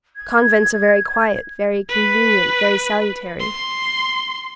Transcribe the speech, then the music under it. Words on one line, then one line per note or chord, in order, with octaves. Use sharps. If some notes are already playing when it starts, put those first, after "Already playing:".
Convents are very quiet, very convenient, very salutary.
G#6
B4
C6